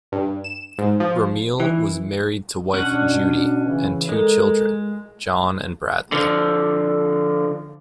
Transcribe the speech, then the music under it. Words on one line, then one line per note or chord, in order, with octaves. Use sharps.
Ramil was married to wife Judy, and two children, Jon and Bradley.
G2
E7
G#2
F3
E3
B2 C#4 D4 F#5
C#3 E3
G#3 A4 A#4
D3 F3